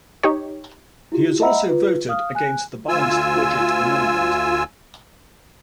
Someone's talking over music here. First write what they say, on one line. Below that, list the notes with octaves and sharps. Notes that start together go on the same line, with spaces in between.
He has also voted against the balanced budget amendment.
D#4 G4 C#5
E4 F4 G4
D#5 E5 F#5 A#5 B5 E6
F4 B4
F5 D#6 F6
G#5 F#6
D2 F4 G#5 E6